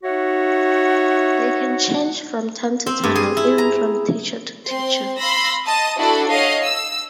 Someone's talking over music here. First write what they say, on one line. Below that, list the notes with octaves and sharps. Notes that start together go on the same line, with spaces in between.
They can change from town-to-town or even from teacher-to-teacher.
D#4 F#4 C#5 E5 F#5
C4
G2
G#4
E4
A#5
C4 C6
F5 B5 C6 E6 A#6
D#5 A5 D#6
D4 E4 F#4 A4 B5
C#5 D#5 F5 F#5
E6